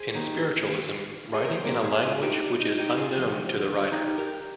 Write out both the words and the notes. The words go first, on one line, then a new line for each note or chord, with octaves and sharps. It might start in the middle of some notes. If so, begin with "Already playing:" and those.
In Spiritualism, writing in a language which is unknown to the writer.
Already playing: G#4 C5
D#2 D#3 A#3
G#4
A#4
C5
G#2 D#3 A#3 A#4 D5
G#4 C5
F4 G#4
D#4 G4
D4
D#4
D#4 G4
F4 G#4
D#2 D3 F3 G#3
D#4 G4
G4 A#4